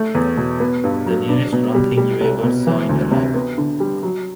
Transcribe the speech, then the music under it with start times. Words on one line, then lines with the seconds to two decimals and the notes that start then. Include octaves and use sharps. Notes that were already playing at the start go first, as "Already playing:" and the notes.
The nearest run thing you ever saw in your life.
Already playing: A3
0.15 E2
0.37 B2
0.60 B3
0.84 G2
1.06 F#3
1.29 D4
1.53 B2
1.75 G3
1.97 G3
2.21 C2
2.44 B2
2.67 E3
2.89 D2
3.11 C3
3.34 B3
3.58 D3
3.80 G3
4.03 F#3